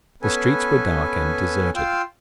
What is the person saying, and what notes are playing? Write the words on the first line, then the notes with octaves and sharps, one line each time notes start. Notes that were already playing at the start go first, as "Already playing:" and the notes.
The streets were dark and deserted.
B3 C#4 A4 B4 G#5
F4 F5 G5 C6 E6